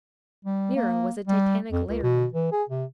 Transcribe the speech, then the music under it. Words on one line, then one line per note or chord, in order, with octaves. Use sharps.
Nero was a titanic lighterman.
G3
A#3
G3
F2
C#2
B2
E3
G#4
C3